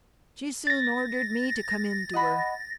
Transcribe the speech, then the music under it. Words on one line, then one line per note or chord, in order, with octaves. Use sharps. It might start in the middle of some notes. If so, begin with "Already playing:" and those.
She soon ordered me to come in to her.
A6 A#6
D#5 F#5 B5